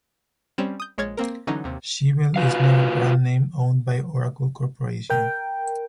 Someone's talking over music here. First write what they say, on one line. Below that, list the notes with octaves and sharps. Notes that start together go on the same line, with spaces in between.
Siebel is now a brand name owned by Oracle Corporation.
G3 C4 C#4 E7
D#6 G6
A#1 G#3 C#5 F6 G#6 A6
A#3 C4 A#4
D3 E3 F#3 C#4 D#4
D#2 C3
F4 F#4 B4 F5
A#4 G5